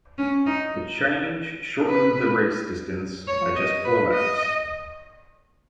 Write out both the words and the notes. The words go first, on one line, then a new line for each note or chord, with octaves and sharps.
The change shortened the race distance by just four laps.
C#4
D#4
B4
C#5
D#5
B4
D#5